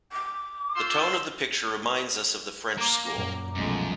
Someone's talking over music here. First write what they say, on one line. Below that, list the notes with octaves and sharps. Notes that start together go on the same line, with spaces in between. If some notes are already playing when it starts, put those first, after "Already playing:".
The tone of the picture reminds us of the French school.
D6
F4 C6 E6 G6
A#3 A#5 D6
F#2 A#2
C2 F#2 B2 F3 G#3 A3